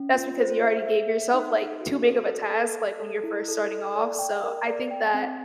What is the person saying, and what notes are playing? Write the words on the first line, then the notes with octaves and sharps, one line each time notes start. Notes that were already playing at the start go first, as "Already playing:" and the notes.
that's because you already gave yourself, like, too big of a task, like, when you're first starting off. So I think that,
Already playing: C#4
F4
C5
E5
E5
E5
D#4
A4
F#4
A4
A4
A4
A4
A4
E4
A4
A4
D5
G5
A#4
D5
G5
C4